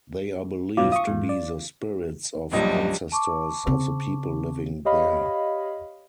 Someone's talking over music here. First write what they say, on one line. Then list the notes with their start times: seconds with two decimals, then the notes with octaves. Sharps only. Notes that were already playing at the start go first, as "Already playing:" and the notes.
They are believed to be the spirits of ancestors of the people living there.
0.77 G2 B2 F#3 F4 F5 D6
0.92 F5 C#6 D#6
1.07 G#2 G4
1.29 D5
2.52 D#1 A#1 F#3 G3 D#5
3.12 A5 C#6 D6
3.67 C#3 C4
4.85 G4 C#5 D#5 F5 B5